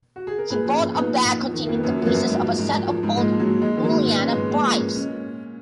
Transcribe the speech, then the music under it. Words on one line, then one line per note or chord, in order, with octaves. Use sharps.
He bought a bag containing the pieces of a set of old uilleann pipes.
F#4
G#4
A#4
A#2 G#4 B4
F3
C#4 F4
A#2
A#2 B3 D#4
F3
A#2
F2
D#3
F2 A#3
B3
F#2 A#3 C#4
F3 B3
F#3 A#3
F#2
G#2
F3
G#2
G#2
F3
G#2
A#2 G#3
F3
F#3
A#2
G#2 G#3
D#3
F#3 A#3
G#2
A#2 G#3 B3
F3 C#4
G#3 B3
A#2
A#2 G#3 B3
F3
A#3 C#4
A#2
C#4